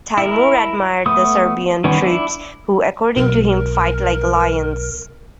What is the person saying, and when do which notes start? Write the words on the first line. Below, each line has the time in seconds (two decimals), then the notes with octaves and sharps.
Timur admired the Serbian troops who according to him "fight like lions".
0.18 E4 A#4
1.06 A3 B3 D#6
1.84 D#3 G3 B3 C#4
2.02 D4 E4
3.17 B1 A#4